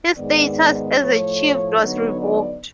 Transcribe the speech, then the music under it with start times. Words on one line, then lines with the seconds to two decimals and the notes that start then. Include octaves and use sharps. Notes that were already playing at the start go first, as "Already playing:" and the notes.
His status as a chief was revoked.
0.18 G#2 D#3 G#3 B3 D5
0.99 A2 F3 A3 C#5
1.80 D3 F#3 B3 D#4 C#5
2.21 D5